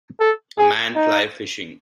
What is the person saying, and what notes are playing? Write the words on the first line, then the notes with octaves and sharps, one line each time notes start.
A man fly fishing.
A4
G#4
D#4